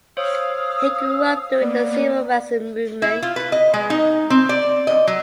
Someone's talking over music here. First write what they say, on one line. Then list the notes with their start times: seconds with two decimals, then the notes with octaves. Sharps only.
He grew up during the civil rights movement.
0.17 C5 C#5 F5 D#6 E6
1.61 A#3 B3 D5
3.02 E4
3.23 F4
3.36 B4
3.52 D#5
3.74 G#3
3.90 D#4
4.30 C4
4.49 D5
4.87 D#5
5.07 F#3